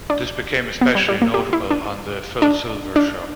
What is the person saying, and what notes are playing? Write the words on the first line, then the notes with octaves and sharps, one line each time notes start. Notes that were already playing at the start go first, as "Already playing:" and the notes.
This became especially notable on "The Phil Silvers Show".
D4
B3
G3
G3
A#3
G4
E4
D4
D4
D4